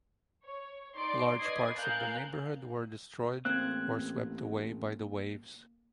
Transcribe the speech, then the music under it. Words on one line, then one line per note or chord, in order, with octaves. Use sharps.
Large parts of the neighbourhood were destroyed or swept away by the waves.
C#5
D#4 D5 C6 D6 D7
B4 D5 D#5 D#6 G#6 C7
A#4 F5 G#5 A5 F#6 G6
A1 A#3 C4 F#6 G#6